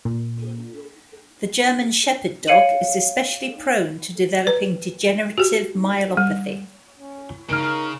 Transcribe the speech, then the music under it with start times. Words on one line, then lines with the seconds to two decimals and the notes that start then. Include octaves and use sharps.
The German Shepherd Dog is especially prone to developing degenerative myelopathy.
0.05 A#2
2.48 C#5 F5 C#7 D#7 F#7
4.47 B4
5.38 F#4 G4
6.17 G3
6.99 C#4
7.49 C#3 D#4 A#4 A#5 F6 D7